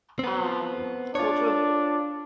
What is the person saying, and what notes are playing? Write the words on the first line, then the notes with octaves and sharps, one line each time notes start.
um, cultural
B3 C4
D4 F4 C#5